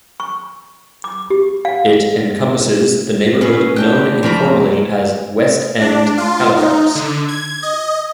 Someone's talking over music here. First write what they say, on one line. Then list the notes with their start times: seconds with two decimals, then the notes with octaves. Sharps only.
It encompasses the neighbourhood known informally as West End, Halifax.
0.20 C#6
1.04 D6
1.30 G4
1.65 F5
3.41 C#4 F#4 G#4 B4
3.76 C#4 D4 G4 G5 F#6
4.23 F2 C4 A#4 A#5 B5
5.80 D4
6.18 F4
6.57 D#4
6.95 D3
7.28 G#6
7.62 D#5